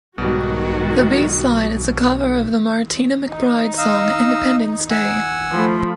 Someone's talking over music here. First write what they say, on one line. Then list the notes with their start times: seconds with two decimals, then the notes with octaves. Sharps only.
The B-side is a cover of the Martina McBride song "Independence Day".
0.18 B1 G#2 B2 D#3 G3 G#3 F#4
3.29 D#4
3.78 D#5 F5 E6
4.91 F#5 G#5 E6
5.53 F3 A3 B5